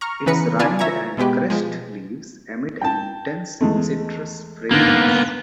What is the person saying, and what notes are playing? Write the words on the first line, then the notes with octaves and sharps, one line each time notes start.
Its rind and crushed leaves emit an intense citrus fragrance.
A#5 C#6 F6
C#3 E3 B3 B4 A#5 C#7
F4 B4 D5 G#5 A5
E5 A#5 C#6 G#6
B2 G#3 B3 G4 B4
F3 G#3
G5 A5
E2 G#3 A3
G#2 D3 A#3 B3